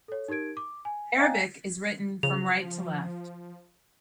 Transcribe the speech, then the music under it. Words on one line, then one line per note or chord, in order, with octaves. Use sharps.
Arabic is written from right to left.
A4 C#5
D#4 G4 A#4 G#6 D7
D6
G#5
C#5 D#5 F5 G5 G#5 A#5
C#3 F3 F7